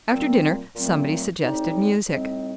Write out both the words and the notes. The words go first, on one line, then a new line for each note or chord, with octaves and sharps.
After dinner somebody suggested music.
A#2 F#3 A3 C4
A#2 F#3 A3 C4
A2 G3 C4 D#4
A2 G3 C4 D#4